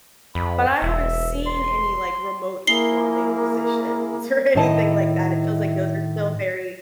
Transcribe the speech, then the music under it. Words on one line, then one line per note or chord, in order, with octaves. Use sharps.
But I haven't seen any, like, remote plumbing positions or anything like that, it feels like those are still very
F2 B5
E1 E5
C6
A#3 E4 G#4 C7 G7
A2 D#3 E4 D#5 A5